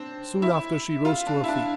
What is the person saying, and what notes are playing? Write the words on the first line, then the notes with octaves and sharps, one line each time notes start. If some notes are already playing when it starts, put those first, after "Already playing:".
Soon after she rose to her feet.
Already playing: C4 D4
E4
F4
D4
E4
D4